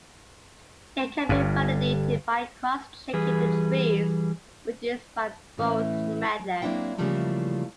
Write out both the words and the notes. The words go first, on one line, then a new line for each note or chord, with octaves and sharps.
It can be validated by cross-checking the trees produced by both methods.
G1 G2
E3 G3 G#4 B4
A2 E3 A3 C#4
F#3
F#3 A#3 C4 D4 E4 G5
C#3 E3 F3 G3 A3 A#3